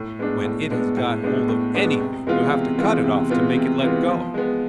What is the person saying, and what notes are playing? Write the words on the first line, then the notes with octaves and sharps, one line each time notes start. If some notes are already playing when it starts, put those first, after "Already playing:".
When it has got hold of anything you have to cut it off to make it let go!
Already playing: A2
G#3 B3 D4
A2
G#3 B3 D4
A2
G#3 B3 D4
A2
G#3 B3 D4
C3
E3 G#3 B3 F4
C3
E3 G#3 B3 F4
C3
E3 G#3 B3 F4
C3
E3 G#3 B3 F4
F3
G#3 B3